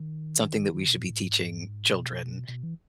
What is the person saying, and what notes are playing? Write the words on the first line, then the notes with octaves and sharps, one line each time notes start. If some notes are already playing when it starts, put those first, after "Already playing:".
something that we should be teaching children,
Already playing: D#3
D#3
B2
G#2
A2
G#2
A2
B2
B2
E3